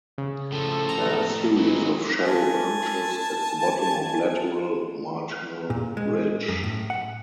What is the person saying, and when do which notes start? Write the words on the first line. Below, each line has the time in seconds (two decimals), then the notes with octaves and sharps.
There are series of shallow punctures at the bottom of lateral marginal ridge.
0.18 C#3
0.52 A2 F3 A4
0.89 A#5
1.57 E3 F#3 D#4
2.20 G#5 A5
5.70 A#2
5.97 G#3
6.49 F#2
6.64 A2
6.90 F#5